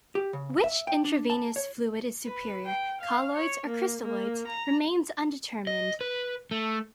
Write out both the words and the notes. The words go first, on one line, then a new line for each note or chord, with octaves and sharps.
Which intravenous fluid is superior, colloids or crystalloids, remains undetermined.
G4
C#3
E5
G5
D4
A5
C#5
B4
G5
F5
C#5
A#3
A#3
A#5
D#5
B4
A3